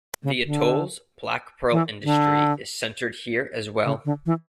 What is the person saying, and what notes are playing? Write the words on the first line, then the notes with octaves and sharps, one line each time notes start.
The atoll's black pearl industry is centered here as well.
C#3
D3
E3
D3
C#3
D3
E3